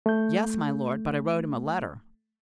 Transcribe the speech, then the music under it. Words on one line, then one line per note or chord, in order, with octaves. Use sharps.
"Yes, my lord; but I wrote him a letter."
A3 G6